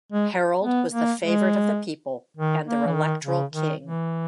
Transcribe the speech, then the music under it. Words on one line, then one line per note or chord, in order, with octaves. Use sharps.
Harold was the favourite of the people, and their electoral king.
G#3
B3
A#3
G#3
D#3
A#3
E3
D#3
C#3
D#3
E3